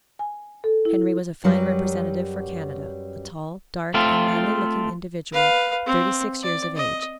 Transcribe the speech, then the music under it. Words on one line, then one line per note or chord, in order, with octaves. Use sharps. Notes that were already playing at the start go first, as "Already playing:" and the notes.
Henry was a fine representative for Canada; a tall, dark, and manly-looking individual, thirty-six years of age.
G#5
A4
E4
F#2 F#3 G3 B4
A3 C4 F4
B4 F5
C4
D5
D#5